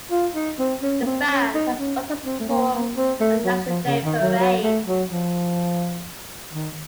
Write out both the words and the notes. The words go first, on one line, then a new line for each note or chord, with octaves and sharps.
The Band has also performed at the National Day Parade.
F4
D#4
C4
C#4
A#3
C4
C#4
D#4
C#4
C4
A3
A#3
A#3
C4
A3
F#3
F3
C#3
D#3
F#3
F#3
A3
F#3
F3
D#3